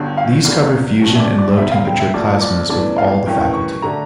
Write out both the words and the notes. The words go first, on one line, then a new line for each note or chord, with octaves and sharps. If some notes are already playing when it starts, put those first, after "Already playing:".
These cover fusion and low temperature plasmas with all the faculty.
Already playing: G1 G2 D3
F5
F1 E2 D3
G2 F3 C#4
E5
D5
D5
E1 E2 D3 G3 E5
F5
G5
E5
A#1 A2 F3 D5
D5
E2 C#3 E3 A3 D4 D5
F5
A1 G2 E3 A#3 C#4 G5
C#6
D3 A3 D4 A#5